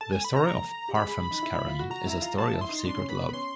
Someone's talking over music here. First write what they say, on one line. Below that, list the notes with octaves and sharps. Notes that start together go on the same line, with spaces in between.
The story of Parfums Caron is a story of secret love.
A4 A5
G#5
B5
A#5
G4
G#4 B5
G#4
D#4
E4
E4
F4
F#4
F#4 A#5
E4
F4
F4 A5
E4
C6
D#4
D4 C6
C#4
B3 B5
B3
C#4 C6